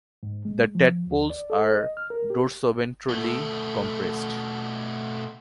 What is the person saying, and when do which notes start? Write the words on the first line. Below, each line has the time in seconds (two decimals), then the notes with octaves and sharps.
The tadpoles are dorsoventrally compressed.
0.23 G#2
0.45 G#3
0.75 F3
1.07 D#2
1.30 D5
1.50 A4
1.73 D#5
1.97 F6
2.10 A#4
2.30 G4
3.09 B2 A3